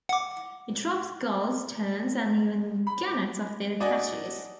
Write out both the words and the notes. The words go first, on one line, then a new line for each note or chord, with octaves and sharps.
It robs gulls, terns and even gannets of their catches.
F#5 D6
B5
D4 F#4 D5 D#5 G#5